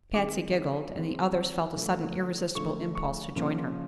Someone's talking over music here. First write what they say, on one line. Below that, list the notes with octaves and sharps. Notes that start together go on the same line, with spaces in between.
Patsy giggled, and the others felt a sudden irresistible impulse to join her.
D#3 G#3 C4 D6
D#3 G#3 C4
D3 F3 A3
D3 F3 A3 C#6
C#6
C#3 F3 A#3 C#4